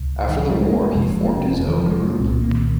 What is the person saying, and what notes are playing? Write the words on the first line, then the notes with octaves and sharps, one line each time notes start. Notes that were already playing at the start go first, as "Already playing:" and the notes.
After the war he formed his own group.
Already playing: C#2 C3
D#3
F3
G3
G#3
A#3
G#3
F1 F2 C3
A#3
C#4
C4
F3
D#3
F3
G#3
A#3
C2 A#2 C4
C4
A#3
D#3